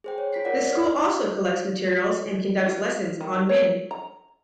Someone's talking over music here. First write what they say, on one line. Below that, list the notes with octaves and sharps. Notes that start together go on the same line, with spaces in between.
The school also collects materials and conducts lessons on Min.
G#4 C5 G5
C#5
F4 B6 C7
F4 A#4 C#5 D5 F#5
F6
F4
D#3
C#5
A#5